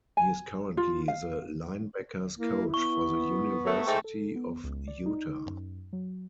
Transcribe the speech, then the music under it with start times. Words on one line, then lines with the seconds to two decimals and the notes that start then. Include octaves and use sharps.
He is currently the Linebackers coach for the University of Utah.
0.17 G#5
0.77 F4
1.08 F5
2.39 A#3 E4
2.74 B3 C#6
3.65 F#3 A3
3.87 G#2 A3 G5
4.04 A4
4.36 B3
4.64 C#2
4.88 D5
5.06 D#4
5.46 F#2
5.93 F#3